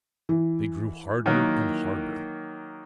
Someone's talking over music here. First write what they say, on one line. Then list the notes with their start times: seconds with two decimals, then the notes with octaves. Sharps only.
They grew harder and harder.
0.29 E3
1.26 D#3 F#3 A#3